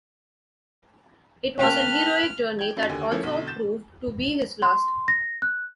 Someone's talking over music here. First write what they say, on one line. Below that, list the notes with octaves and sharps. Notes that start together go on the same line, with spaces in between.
It was an heroic journey that also proved to be his last.
C#3 A#3 B4 G5 A5 F6
G5 G#6
F#2 D#4
D#2 D3 G#5
F3 A3 A#3 C#4 E4
B1 D3
G6 A6 E7
C6
A#6
F#6